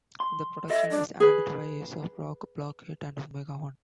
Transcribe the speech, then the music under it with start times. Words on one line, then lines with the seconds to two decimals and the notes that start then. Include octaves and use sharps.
The production is handled by Aesop Rock, Blockhead, and Omega One.
0.20 C6
0.70 A4 D#5 E5
0.91 D4
1.20 G#4 B4